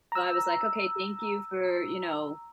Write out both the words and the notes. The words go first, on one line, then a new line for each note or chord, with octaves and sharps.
So, I was, like, okay, thank you for, you know?
A#5 E6